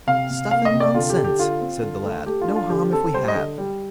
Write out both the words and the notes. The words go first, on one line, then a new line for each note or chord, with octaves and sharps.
'Stuff and nonsense!' said the lad; 'no harm if we have.'
C3 F5
C3
A#3 F5
D#5
C3
D5
D3 F4
G4
D3
G4
D3 F4
C4
D3
A3
A3 G4
F4
D4
F4
D3 G4
C4 A4
G3 C5
D#5
D3
G3